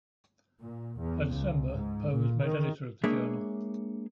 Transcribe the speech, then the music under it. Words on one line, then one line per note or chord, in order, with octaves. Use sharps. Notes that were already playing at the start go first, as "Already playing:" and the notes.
By December, Poe was made editor of the journal.
A#2
E2
C#2
G#2
A#2
D#3
G#3 A#3 D4 G#4 C#5 E5